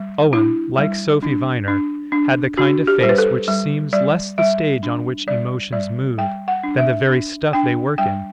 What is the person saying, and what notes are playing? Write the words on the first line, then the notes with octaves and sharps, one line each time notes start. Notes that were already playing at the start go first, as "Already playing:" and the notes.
Owen, like Sophy Viner, had the kind of face which seems less the stage on which emotions move than the very stuff they work in.
Already playing: G3
D4 E4
G3
D4
D4
D4
D4 F#4
G4
G3 C5
B4
A4
G3
G3 D5
G3 E5
D4
G3 D5
G3 D5
G3 G5
F#5
D4
E5
D4
D4 G5
G3 G5